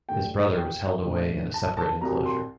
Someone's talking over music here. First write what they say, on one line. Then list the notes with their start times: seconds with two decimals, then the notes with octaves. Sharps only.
His brother was held away in a separate enclosure.
0.09 G1 G2 D3 A3 G5
0.57 G5
1.05 A#1 A#2 A3 D4
1.54 A5
1.77 A5
2.01 C2 C3 F#3 A#5
2.26 C6